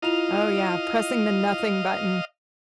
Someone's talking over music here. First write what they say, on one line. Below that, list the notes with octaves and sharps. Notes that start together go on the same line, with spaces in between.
Oh, yeah, pressing the nothing button.
E4 F4 D#5 F5 F7